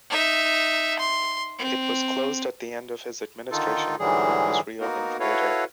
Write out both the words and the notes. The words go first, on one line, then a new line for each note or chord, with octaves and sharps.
It was closed at the end of his administration but was reopened later.
D#4 E5
C6
C4
D3 D#3 D#4 F4 A4
G#2 D3 E3 F#3 G3 G#4
A#3 B3 D#4 F#4 A#4
E4 F#4 A4 B4 C#5 F5